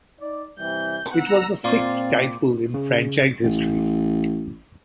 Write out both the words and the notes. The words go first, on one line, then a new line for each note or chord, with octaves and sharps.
It was the sixth title in franchise history.
D#4 D5
C3 E3 G3 G6
B3 F#5 A#5 E6
A#2 C4 F4 D5 F5
C#3
A1